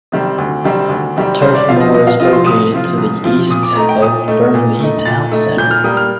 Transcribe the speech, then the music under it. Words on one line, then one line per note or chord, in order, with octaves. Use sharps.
Turf Moor is located to the east of Burnley town centre.
C3 D#3 G3 C4
D2
C3 D#3 G3 C4
D2
C3 D#3 G3 C4
C2 C5
D5
C3 F3 C4 F4 F5
D#5
C2 D#5
F5
C3 F3 C4 F4 D#5
C6
C2 D#6
C3 F3 C4 F4
C2
C3 F3 C4 F4
A#2 D#6
D6
A3 D#4 A#5
G5
A#2 D#6
A3 D#4
A#2
A3 D#4
A#2 A6
A3 D#4
A#2 G6
F6
G3 A#3 D#6
F6